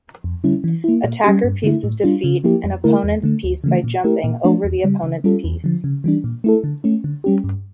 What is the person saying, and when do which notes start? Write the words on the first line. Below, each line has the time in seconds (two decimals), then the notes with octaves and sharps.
Attacker pieces defeat an opponents piece by jumping over the opponents piece.
0.24 F2
0.44 D3 G3 C#4 E4
0.64 E3
0.84 A#3 E4
1.04 A#2
1.24 G3 C#4 G4
1.44 G2
1.64 D3 A3 E4
1.84 A2
2.04 G3 D4 F4
2.24 C#3
2.44 F3 A#3 E4 G4
2.64 F2
2.84 D3 A3 E4 A#4
3.04 E2
3.23 D3 A3
3.44 D2
3.64 C#3 E3 A3
3.84 A#2
4.04 A3 E4 G4 A#4
4.24 A#2
4.44 F3 A3 D4
4.64 E2
4.84 C#3 G3
5.04 C#3
5.24 G3 C#4 F4 A4
5.44 E2
5.64 D3 F3
5.84 C#3
6.04 E3 G3 D4
6.24 A#2
6.44 A3 E4 A4
6.64 D3
6.84 A3 C#4
7.04 D3
7.24 G3 C#4 G4
7.44 G2